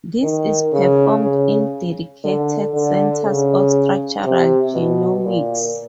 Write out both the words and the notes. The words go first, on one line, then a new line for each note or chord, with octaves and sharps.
This is performed in dedicated centers of structural genomics.
D#3
C#3
C#3
D3
D3
C#3
C3
B2
A#2